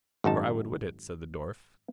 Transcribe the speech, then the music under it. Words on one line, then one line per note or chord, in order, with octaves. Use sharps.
For I would wit it, said the dwarf.
G#1 F#2 D#4 A5